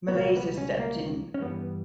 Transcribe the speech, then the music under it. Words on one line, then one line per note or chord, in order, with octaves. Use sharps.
Malaysia stepped in.
B3
C#2 B2 G3 A#3
B3
C#4
A#3
C#4
G2 E3 G3 B3